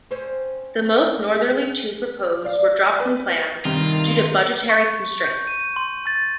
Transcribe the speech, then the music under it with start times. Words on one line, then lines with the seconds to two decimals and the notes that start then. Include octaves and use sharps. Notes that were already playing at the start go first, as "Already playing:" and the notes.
The most northerly two proposed were dropped from plans due to budgetary constraints.
0.11 C4 C#4 C5
1.34 G#4
2.44 D5 F5
3.00 B4
3.65 G2 C3 D#3 F4
4.69 C#6
5.24 G6
5.47 D#7
5.76 C6
6.07 A6